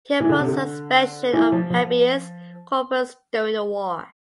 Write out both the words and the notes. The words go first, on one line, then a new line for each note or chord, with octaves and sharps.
He opposed the suspension of habeas corpus during the war.
E3
D3
C3
D3
E3
F3
F3